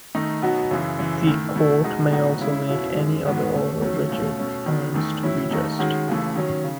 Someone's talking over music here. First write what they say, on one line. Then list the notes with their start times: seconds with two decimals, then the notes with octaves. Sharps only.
The court may also make any other order which it finds to be just.
0.15 D#3 A3 D#4
0.42 B2 F#3 B3 D#4 F#4
0.71 F#2 C#3 E3
0.99 F#2 C#3 E3
1.27 D#3 A3 E4
1.56 B2 A3 E4
1.84 B2 G#3 D#4 F#4
2.12 A2 F#3 B3 D#4 F#4
2.41 C#3 G#3 C#4 E4
2.68 C#2 B2 F#3 C#4 E4
2.97 F#2 E3 G#3 C#4
3.25 G#2 D#3 G#3 B3 F#4
3.54 B2 A3 C#4
3.81 D#3 F#3 A3 C#4
4.09 C#2 B2 A3 C#4
4.39 B2 A3 C#4
4.66 D#3 F#3 B3
4.94 E2 D#3 A3
5.23 A2 F#3 C#4 E4
5.51 D#2 D#3 A3 D#4
5.79 D#3 G#3 C#4 F#4
6.08 D#2 C#3 E3 A3
6.36 D#3 F#3 C#4
6.64 C#3